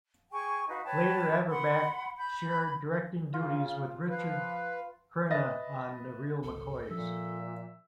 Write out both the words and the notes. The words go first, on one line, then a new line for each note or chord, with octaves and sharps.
Later, Averback shared directing duties with Richard Crenna on "The Real McCoys".
G#4 G5 G#5 C#6
D#4 F#4 B4 F5
B4 C#5 G5 A5
F#5 B5 C6
B5 G6
C#3 F4
F3 B4 F5
B4 D#5 E5 A6 A#6
G#1 C#2 A4
A#2 F3 E5